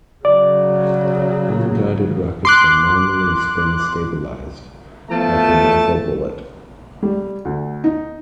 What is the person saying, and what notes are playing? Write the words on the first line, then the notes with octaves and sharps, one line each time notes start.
Unguided rockets are normally spin stabilized, like a rifle bullet.
C#3 F#3 D5
C6 D6 F#6
F3 A3 B3 A5
G3
D2
D#4